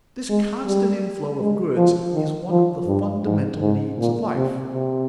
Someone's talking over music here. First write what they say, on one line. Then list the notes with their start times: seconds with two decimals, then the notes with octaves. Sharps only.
This constant inflow of goods is one of the fundamental needs of life.
0.29 G#3
0.66 G3
1.40 G#3
1.77 F3
2.14 D#3
2.51 F3
2.87 G2
3.25 G#2
3.61 G#2
3.99 A#2
4.35 C3
4.72 C3